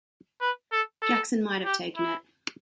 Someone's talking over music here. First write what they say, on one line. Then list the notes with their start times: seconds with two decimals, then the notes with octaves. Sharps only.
Jackson might have taken it.
0.41 B4
0.72 A4
1.02 A4
1.65 G4
1.96 E4